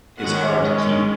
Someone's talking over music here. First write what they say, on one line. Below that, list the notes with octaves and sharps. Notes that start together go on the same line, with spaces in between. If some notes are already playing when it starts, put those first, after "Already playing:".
it's hard to keep
D#3 G#3 C#4 F#5